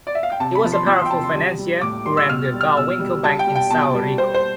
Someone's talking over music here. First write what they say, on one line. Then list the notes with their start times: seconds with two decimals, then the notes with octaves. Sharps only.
He was a powerful financier who ran the Bohlwinkel bank in Sao Rico.
0.07 D5
0.15 E5
0.23 F5
0.32 G5
0.40 C3 A5
0.55 B5
0.64 F3
0.72 C6
0.87 F3 E6
0.99 C6
1.05 G5
1.11 C3 A5
1.24 C6
1.35 G3
1.59 G3
1.81 A2 D6
2.05 G3 C6
2.17 E6
2.29 B2 F6
2.45 A6
2.54 G3
2.61 F6
2.77 B2 E6
3.00 G3
3.24 G3 A5
3.39 G5
3.47 G3
3.55 G5
3.70 B2 A5
3.94 G3
4.18 G3 C5
4.34 C5